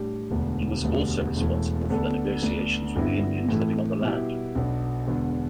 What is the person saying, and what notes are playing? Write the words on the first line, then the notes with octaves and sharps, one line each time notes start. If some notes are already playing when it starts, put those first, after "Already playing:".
He was also responsible for the negotiations with the Indians living on the land.
Already playing: A2 G3 D4 G4
E1 D2 D3 B3 D4
E1 D2 D3 G3 B3
E1 E2 E3 A3
D2 D3 B3 D4 A4
D2 D3 B3 D4
G1 G2 D3 B3 E4
A2 E3 A3
B2 G3 B3 E4 G4
B1 B2 B3 D4
E1 E2 D3 B3